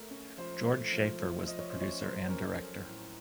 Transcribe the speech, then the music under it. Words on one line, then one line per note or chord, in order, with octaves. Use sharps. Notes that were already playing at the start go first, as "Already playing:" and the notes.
George Schaefer was the producer and director.
Already playing: A3 A#4
C#4
F3 C5
A3
F3
F3
F3 D#5
C#5
C#4 C5
C#5
F#3 C5
C#4 A#4
C#4 A4
A2